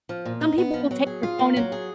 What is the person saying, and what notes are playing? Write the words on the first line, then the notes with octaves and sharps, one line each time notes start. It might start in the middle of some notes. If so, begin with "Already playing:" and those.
Some people will take their phone and
F3
A#2
D#4
B3
F3
F#3
G#4
F4
A#3
F#3
G#4